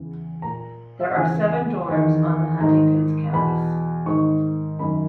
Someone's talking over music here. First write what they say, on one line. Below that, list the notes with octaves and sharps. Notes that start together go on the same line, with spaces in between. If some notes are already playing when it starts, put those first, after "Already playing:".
There are seven dorms on Huntington's campus.
Already playing: E2 C#3 E3
A#2 A#5
E5
F#5
E2 C#3 E3 G#5
E2 D#3
G#2 D#3 A#5
E2 B2 B5
G#2 D#3 C#6
F#2 D#3 B5